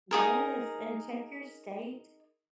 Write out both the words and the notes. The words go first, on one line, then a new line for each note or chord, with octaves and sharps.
Yes, and check your state
D#4 G4 G#4 A#4